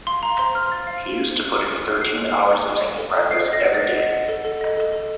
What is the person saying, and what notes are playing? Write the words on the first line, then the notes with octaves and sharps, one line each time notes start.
He used to put in thirteen hours of singing practice every day.
F5 C6
F5 A#5
C5 C6
C5 F6
F5 A6
F5
F5
C5
A4
A4
A4
A4
A4 C7
C#5
A4
F#5
D#5
A4
A4
D#5
C5 C7
D#5
A#6
F#5
A6
D#5
D#5
F#5
A4
A4
D#5
A4
A4